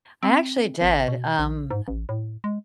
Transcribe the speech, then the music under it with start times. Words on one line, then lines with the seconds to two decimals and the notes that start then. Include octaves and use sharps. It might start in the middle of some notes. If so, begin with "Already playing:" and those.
I actually did, um,
0.23 C4
0.81 G#1
1.08 B2
1.39 A#1
1.71 G#2
1.88 A1
2.09 A2
2.44 G#3